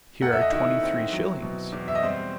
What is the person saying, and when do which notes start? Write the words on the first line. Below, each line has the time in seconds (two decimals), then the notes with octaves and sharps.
Here are twenty-three shillings.
0.21 A3 F#5
0.32 E5
0.41 D#5
0.52 D#3 E4 E5
0.83 C4
1.12 F#3
1.42 B2
1.72 E2
1.88 E5
1.95 D#5
2.03 G3 C4 C5